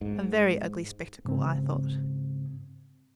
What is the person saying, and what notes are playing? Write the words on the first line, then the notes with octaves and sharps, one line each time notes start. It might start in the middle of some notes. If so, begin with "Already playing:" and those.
A very ugly spectacle, I thought.
G#2
G#2 C#3 C4